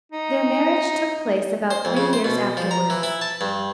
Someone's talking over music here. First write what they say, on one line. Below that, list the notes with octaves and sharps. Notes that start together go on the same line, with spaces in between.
Their marriage took place about three years afterwards.
D#4
C5
F2
C#3
C5
B2
F3
A#5
E3
E4
A5
G2